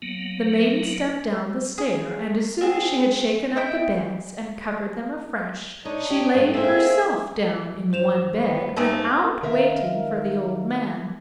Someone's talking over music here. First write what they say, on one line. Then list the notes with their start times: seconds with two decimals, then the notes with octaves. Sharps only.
The Maiden stepped down the stair, and as soon as she had shaken up the beds and covered them afresh, she laid herself down in one bed, without waiting for the Old Man.
0.02 F#3 A#3 B3
1.78 G#4
2.61 C4 G#4
3.56 D#4 E4 G5
5.85 D4 D#4 C#5 D#6
6.10 G4
6.34 G2 A3
6.54 A#3 C4 G#4 E5
7.93 G2 C5 E7 F7
8.32 B3
8.76 G2 A3 D#4 G4 G#4
9.43 D#3 A#4 E5 F5